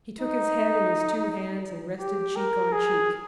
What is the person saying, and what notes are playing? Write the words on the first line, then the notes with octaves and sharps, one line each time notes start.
He took his head in his two hands and rested cheek on cheek.
D#4
G4
A#4
G#4